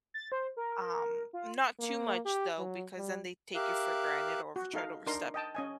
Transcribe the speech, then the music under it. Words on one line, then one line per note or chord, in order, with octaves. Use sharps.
um, not too much though, because then they take you for granted or v try to overstep,
A6
C5
A#4
F4
A#3
G4
F#3
G3
G4 A#4 E5 F5 F#6
F#4
D#4 A4 F5
D4 D#4 A#4 C6
D#5 G5 A5
C#4 D#5 G#5